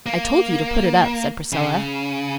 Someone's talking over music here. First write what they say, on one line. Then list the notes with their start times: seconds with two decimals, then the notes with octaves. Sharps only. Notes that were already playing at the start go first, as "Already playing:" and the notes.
"I told you to put it up," said Priscilla.
0.06 A#3
1.53 C#3